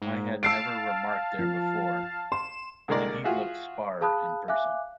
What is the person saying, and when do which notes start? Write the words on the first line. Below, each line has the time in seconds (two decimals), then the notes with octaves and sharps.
I had never remarked there before; and he looked sparer in person.
0.02 G#2
0.43 F5 A5 E6 C7 D7
1.39 F3
2.32 C6 E7
2.88 C2 D3 G#3 A#3 A#4 D5
3.24 F4 F#4 G#4 E5
4.01 G#4 F5 A5 B5 D#6 F#6
4.48 E5 F5 G#5 D6 F#6